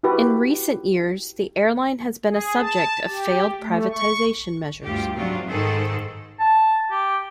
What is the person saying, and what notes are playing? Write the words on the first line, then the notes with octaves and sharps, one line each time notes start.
In recent years the airline has been a subject of failed privatisation measures.
E4 F#4 G4 B4
G#4
A5
G4
A3
C#6
D2 G2 F4 G4
G#2 C3 F#3 D4 F4
G#2 D#3 G#4 A4 C5
A5
G4